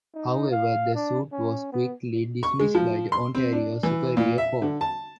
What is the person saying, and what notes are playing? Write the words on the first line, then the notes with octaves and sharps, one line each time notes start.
However, the suit was quickly dismissed by the Ontario Superior Court.
D#4
F5
D4
C#4
B3
C#6
G#3
F3
C6
C4
D4
E3
A#2
E5
D3
A5